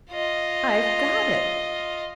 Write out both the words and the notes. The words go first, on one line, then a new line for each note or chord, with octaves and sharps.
"I've got it!"
F4 D#5